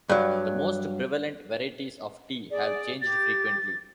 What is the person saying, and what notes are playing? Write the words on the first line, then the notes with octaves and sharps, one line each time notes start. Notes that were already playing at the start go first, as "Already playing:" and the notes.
The most prevalent varieties of tea have changed frequently.
G2 F#3
G#4 D5
G4 A6